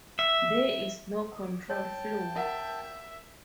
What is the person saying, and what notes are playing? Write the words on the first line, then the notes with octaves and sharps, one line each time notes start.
There is no control flow.
E5
C#5 G5 A5 E6
E4 A#4 E5 F#5